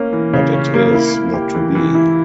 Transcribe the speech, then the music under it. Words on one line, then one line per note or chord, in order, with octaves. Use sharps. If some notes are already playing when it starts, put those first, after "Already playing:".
But it is not to be.
Already playing: A#3 C#4
E3
C#3
C#4
A#3
E4
A#3
G4
E3
E3
E4